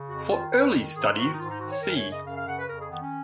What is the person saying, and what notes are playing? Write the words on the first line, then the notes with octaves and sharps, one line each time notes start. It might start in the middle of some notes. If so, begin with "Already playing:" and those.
For early studies see.
Already playing: C#3
F2 F#4
F#4
D#3 F4
F2 B4
D#3
G#2 G#4
F4
D#3 F#4
D#4
G#2 F4
D#4
D#3 F#4
C#5
F#2 A#4
C#5
C#3
D#5
F#2 F5
F5
C#3 F#5
B4
F2 A#4
G#4
D#3 B3
C#4